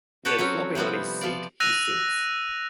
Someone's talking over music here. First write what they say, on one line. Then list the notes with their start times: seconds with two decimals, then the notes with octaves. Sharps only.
Then flopping on his seat he sinks.
0.25 F#4 G4 A4 B4 C#5
0.39 F#3 C4 C#4 C#5
0.75 C3 F3 G3 B3 C4
1.21 F3 F4 D5
1.60 E6 F#6 A#6 D#7 F7